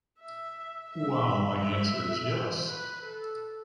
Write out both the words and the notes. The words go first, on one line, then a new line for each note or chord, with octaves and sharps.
While my answer is yes.
E5
E5
E5
C5
B4
A4